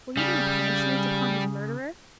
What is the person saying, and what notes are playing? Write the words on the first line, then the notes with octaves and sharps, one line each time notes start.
Will you bring punishment upon his murderer?
C#3 G3